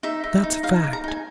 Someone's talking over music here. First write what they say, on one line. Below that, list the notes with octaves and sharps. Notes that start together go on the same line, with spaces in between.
That's a fact!
D#4 E5
D#4
D#4
D#4 F5
D#4
A#5
D#4 G#5